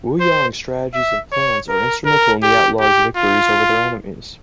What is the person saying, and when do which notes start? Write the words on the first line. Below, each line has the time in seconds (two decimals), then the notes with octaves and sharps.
Wu Yong's strategies and plans are instrumental in the outlaws' victories over their enemies.
0.21 C5
0.94 E5
1.32 C#5
1.69 A#4
2.06 A#4
2.43 G4
2.81 G4
3.17 F4